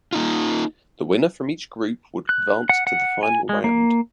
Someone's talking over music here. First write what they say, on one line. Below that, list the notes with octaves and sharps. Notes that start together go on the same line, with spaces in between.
The winner from each group would advance to the final round.
A#3 D#4 F4
F#6
F#5
F#5
G#5
G#3
A#3